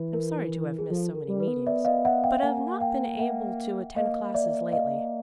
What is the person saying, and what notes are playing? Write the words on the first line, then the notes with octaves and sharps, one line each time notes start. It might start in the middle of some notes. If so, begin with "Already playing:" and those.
Am sorry to have missed so many meetings, but have not been able to attend classes lately.
Already playing: E3 B4
A#4
G#4
F3 A4
A#4
G3
B4
B3
D5 E5
D#5 F5
E5 F#5
F5 G5
A#3 F#5 G#5
F5 G5
E5 F#5
A#3 D#5 F5
D5 E5
D#5 F5